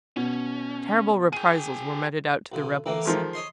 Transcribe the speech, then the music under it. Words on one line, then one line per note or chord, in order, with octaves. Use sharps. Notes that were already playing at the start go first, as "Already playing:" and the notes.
Terrible reprisals were meted out to the rebels.
B2 C#4
G#4 G5 D#7
B1 D3
A2 E3 A#3
D#3 F3 G#3
C#5 D#5 C6